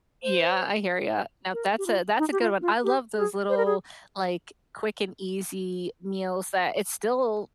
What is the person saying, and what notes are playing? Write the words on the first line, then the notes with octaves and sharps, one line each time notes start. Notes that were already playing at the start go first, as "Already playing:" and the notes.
Yeah. I hear you. Now that's a that's a good one. I love those little, like, quick and easy meals that it's still
C5
A#4
G4
F4
D#4
G4
F4
F4
G4
G#4
C5
A#4
G#4